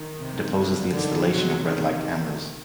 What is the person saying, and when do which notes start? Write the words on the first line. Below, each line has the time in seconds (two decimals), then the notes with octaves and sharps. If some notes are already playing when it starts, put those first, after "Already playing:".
It opposes the installation of red light cameras.
Already playing: D#3
0.20 C3
0.55 D3
0.92 D3 D#3
1.29 C3 F#3
1.66 D#3